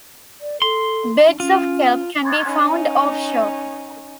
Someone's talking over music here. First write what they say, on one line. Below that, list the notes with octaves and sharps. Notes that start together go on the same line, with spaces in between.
Beds of kelp can be found offshore.
D5
A4 C6
D4
C#4 F4
C#4 D#4